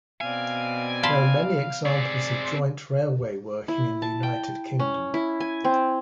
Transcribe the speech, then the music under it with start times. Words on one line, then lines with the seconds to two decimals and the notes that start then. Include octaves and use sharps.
There are many examples of joint railway working in the United Kingdom.
0.21 B2 C4 D5 F5 G#5
1.03 F5 A5 B5 C6
1.86 C4 G#4 D5
3.68 E4
4.02 A5
4.23 G5
4.79 C#4
5.14 E4
5.40 G#5
5.64 C4